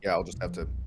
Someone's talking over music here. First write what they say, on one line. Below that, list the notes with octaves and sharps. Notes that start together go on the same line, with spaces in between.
Yeah, I'll just have to
D#3
B3 C4
E2 B2
F3
B1 F2